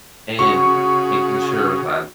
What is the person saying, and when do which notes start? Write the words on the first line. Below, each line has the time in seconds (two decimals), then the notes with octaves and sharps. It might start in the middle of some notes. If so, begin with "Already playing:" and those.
and making sure that
0.39 C#3 F#4 C#6